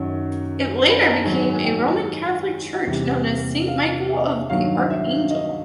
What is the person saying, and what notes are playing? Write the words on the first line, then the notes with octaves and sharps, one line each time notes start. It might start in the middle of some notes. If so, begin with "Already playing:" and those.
It later became a Roman Catholic church known as "Saint Michael of the Archangel".
Already playing: F#2 D#3 F#3
C6
B5
A#5
A5
G#2 D#3 F#3 G#5
G#5
G5
E2 C3 E3 G3
F5
E5
G2 D#3 F#3 F5
E5
D#5